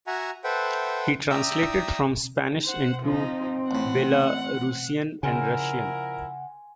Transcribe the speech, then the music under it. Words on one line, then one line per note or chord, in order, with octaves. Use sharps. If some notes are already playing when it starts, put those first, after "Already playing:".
He translated from Spanish into Belarusian and Russian.
F#4 E5 F#5 G#5 A#5
A4 B4 C5 E5 F#5 G5
D5 E5 G5 A#5 D#6 E6
C5 F#5
F3 C4 D#4
A1 A2 F#5
C#3 F3 E4 A#4 F#5 G#5 C6